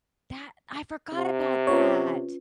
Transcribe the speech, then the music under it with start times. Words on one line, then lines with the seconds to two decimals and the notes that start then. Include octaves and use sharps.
that I forgot about that.
1.13 C3
1.67 C#4 F4 B4 C#5